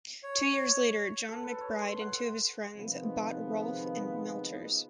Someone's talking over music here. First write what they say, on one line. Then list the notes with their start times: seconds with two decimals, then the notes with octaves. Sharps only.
Two years later, John McBride and two of his friends, bought Rolph and Melchers.
0.23 C#5
1.29 A4
1.43 B4
1.61 C#5
1.81 C6
2.01 F#5
2.75 C3 D#3 F3 G#3 B3